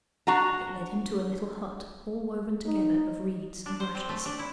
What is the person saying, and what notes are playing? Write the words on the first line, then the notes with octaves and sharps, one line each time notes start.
It led him to a little hut all woven together of reeds and rushes.
D4 F#4 F#5 A#5
D#4
D4
C5
C4
A3
D4
E4